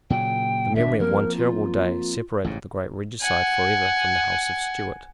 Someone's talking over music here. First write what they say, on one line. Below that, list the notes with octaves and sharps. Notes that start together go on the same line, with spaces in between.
The memory of one terrible day separated the great regicide for ever from the House of Stuart.
A#2 C#3 F#3 G5
G#1 D#3 D4 E5
F3 A#3 C4 A#4
F4
A1 G#2 C#3
F#5 G#5